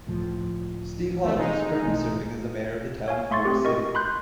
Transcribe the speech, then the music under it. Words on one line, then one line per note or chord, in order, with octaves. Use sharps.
Steve Holland is currently serving as the Mayor of The Town of Forest City.
C#2 A2 F3
A#1 E2 A3
G#3 D#4
B1 A3
C#5 F5 G#5
A3 E5 C6 C#6 A6
A3 C4 G4
A#4 D#5 C#6
B5 C6 F#6 G6